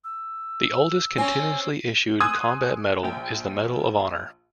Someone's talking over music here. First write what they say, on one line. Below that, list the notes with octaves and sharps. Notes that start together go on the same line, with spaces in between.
The oldest continuously issued combat medal is the Medal of Honor.
E6
C4 C#4 G#5
G#5 C6 D#6 E6 F#6 G#6
A#1 G5